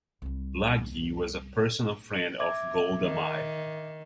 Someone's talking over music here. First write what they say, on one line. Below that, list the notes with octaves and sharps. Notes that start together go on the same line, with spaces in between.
Laghi was a personal friend of Golda Meir.
C2 G3
E5 D6 G#6
D#3